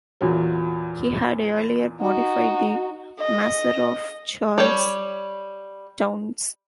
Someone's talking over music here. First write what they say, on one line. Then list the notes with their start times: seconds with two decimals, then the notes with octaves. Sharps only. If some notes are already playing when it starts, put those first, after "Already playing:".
He had earlier modified the maser of Charles Townes.
0.21 E2 A#2 F#3
2.01 D#4 F#4
3.20 D#5
4.58 G3 G4 C#5